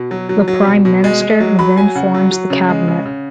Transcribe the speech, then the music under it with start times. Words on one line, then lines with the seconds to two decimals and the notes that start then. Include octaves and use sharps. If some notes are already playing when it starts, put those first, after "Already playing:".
The Prime Minister then forms the cabinet.
Already playing: B2
0.11 F#3
0.29 F#3
0.48 F#3
0.67 B2
0.85 B2
1.04 G#3
1.21 G#3
1.40 F#3
1.59 F#3 B5
1.77 F#3 G#5
1.95 C#3 F#5
2.14 F#3
2.32 F#3
2.50 C#3
2.69 G#3
2.88 C#3
3.06 C#3